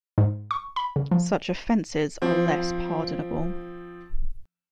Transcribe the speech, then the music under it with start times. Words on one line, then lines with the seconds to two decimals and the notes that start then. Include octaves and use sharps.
Such offenses are less pardonable.
0.18 G#2
0.51 C#6
0.76 B5
0.96 C#3
1.11 F3
2.22 F3 C4